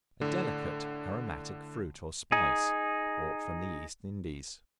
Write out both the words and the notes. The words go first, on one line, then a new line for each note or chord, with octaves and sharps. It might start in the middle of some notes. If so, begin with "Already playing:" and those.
A delicate aromatic fruit or spice, brought from the East Indies.
A2 D3
D#4 G#4